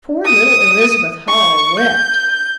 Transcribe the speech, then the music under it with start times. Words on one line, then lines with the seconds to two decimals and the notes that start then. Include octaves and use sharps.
Poor little Elizabeth Hull wept.
0.25 D#6
1.28 C#6
1.80 G6